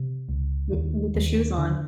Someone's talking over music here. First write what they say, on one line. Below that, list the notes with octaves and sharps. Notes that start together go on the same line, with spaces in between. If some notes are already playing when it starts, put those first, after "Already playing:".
W with the shoes on.
Already playing: C3
C#2
D#2
D#2
D3